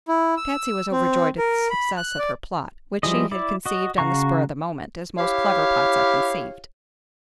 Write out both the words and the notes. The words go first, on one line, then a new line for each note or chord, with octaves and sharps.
Patsy was overjoyed at the success of her plot, which she had conceived on the spur of the moment, as most clever plots are conceived.
E4
E6
C4
A#4
B5
F#6
D5
F3 G3 E4 G#4 D#5
E4 D5
F#4 D#5
C#3 F#4 F5 A#5 C#6
E4 G4 C#5 F5